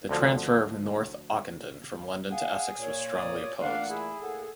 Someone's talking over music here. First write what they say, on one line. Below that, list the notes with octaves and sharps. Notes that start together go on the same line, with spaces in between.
The transfer of North Ockendon from London to Essex was strongly opposed.
D2 D3 F3
G#4 F5 F#5
A#2 C#5
D5 D#6
A#2 E3 A3 D4 F5 F#5
E4 G#4
A2 A#3 A4 F#5